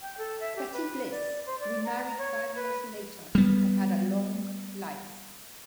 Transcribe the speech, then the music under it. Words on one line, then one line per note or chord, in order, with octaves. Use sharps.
Betty Bliss remarried five years later and had a long life.
G5
A4
E5
G4
B4
D5
C5
D5
A#5
C#5
B4
G3 B3